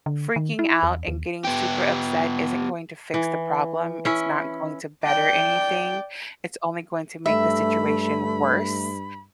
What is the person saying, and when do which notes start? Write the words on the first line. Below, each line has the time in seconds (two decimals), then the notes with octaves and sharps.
freaking out and getting super upset isn't going to fix the problem, it's not going to better anything, it's only going to make the situation worse,
0.06 D3
0.36 D#3
0.59 E4
0.83 E2
1.08 D#2
1.45 B3 G4
3.14 E3
4.05 C#4 E4
5.03 D5 G5
7.26 G2 A3 E5 B5